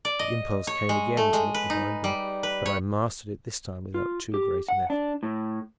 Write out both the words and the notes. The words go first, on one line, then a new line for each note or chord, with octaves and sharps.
The impulse came again to look behind me, but I mastered it this time without too great an effort.
D5
D#5
C#5
G#3
A3
G#3
B4
D#4
G3
B4
C#5
F4
G4
F#5
D4
A2